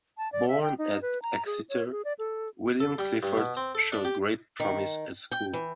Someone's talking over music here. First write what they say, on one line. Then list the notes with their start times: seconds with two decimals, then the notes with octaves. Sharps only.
Born at Exeter, William Clifford showed great promise at school.
0.18 A5
0.32 D5
0.48 E5
0.62 G5
0.78 D#4
1.02 B4
1.22 A#5
1.46 G#4
1.69 C#5
1.92 G#4
2.05 D5
2.19 A4
2.80 A4
2.99 G3
3.23 G2
3.37 B2
3.57 C4
3.75 A4
3.92 D4
4.05 G4
4.60 D#3
5.32 G5
5.53 E3